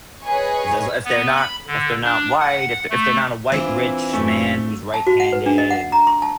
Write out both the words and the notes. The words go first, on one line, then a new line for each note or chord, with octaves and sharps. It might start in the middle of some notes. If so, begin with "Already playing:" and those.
as as if they're not if they're not white, if if they're not a white rich man who's right-handed and
G#4 B4 C#5 D#5 G#5 C#6
B3
B5
D3
D4
F#5
A3
E3 C4 D4 E4 F4
F#2 A3 C#4
A5
F#4
F#5
B4
D4
D#5
F#5
A#5
C6
A5